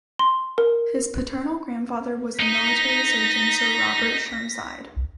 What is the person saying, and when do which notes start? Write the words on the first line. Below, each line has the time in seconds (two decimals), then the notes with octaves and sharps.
His paternal grandfather was the military surgeon Sir Robert Chermside.
0.19 C6
0.58 A#4
2.40 D#4 D#5 A#6 B6